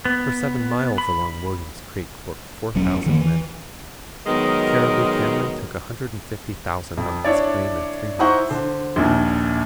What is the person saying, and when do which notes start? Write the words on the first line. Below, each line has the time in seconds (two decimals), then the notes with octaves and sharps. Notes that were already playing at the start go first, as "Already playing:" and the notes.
For seven miles along William's Creek worked four thousand men. Cariboo Cameron took a hundred and fifty thousand out of his claim in three months.
0.05 B3
0.98 B5
2.75 E1 F#3 C#4
3.06 D#3 E3 A#3
3.21 E3
4.27 D#3 F#3 G#3 B3 A#4
6.97 F2
7.24 D4 E4 C#5 D5
8.19 D#4 E4 C5 F#5 C#6
8.49 D3 C5
8.96 A#1 D#2 A#2